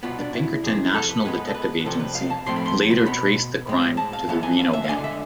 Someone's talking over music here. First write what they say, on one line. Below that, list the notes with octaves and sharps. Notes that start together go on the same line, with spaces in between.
The Pinkerton National Detective Agency later traced the crime to the Reno Gang.
C2 B2 B3 F4
D4
E4
F2 C3 E3 G#4
A4
B4
G#2 G#3 B3 B4
A4
B4
B4
C2 C3 F3 A4
B4
F5
A5
A2 F3 A3 C4 C6
B5
C6
B5
B2 B3 B5
A2 G#3 C4
A5
F5
F2 E3 B3 A5
G#5
F5
E5
F5
D2 D3 G#3 G#5
E5